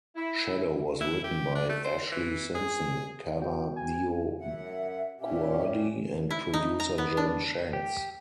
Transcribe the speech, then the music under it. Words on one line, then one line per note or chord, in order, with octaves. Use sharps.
"Shadow" was written by Ashlee Simpson, Kara DioGuardi and producer John Shanks.
E4
E4
G4
D4
A3
C5
E3
G#4
B3 F#4 G5
G#5
F#2 E5 F#5
A#2 C#4 G4 E5
E4
D#4
A#5
B3
D4
G4